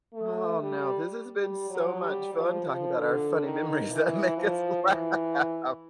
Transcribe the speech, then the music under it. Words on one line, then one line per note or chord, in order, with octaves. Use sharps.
Aw, now, this has been so much fun talking about our funny memories that make us laugh.
A3
G3
G3
F#3
G3
F3
F3
D3
D#3
E3
F3
E3